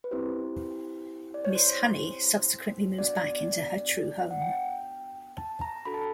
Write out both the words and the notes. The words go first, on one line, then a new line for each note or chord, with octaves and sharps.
Miss Honey subsequently moves back into her true home.
B4
C4 E4 G4 C5
D5
C#5
C5
B3 D4 F#4 D5
F#5
G5
A5
A#5
D4 F#4 A4 B5
A5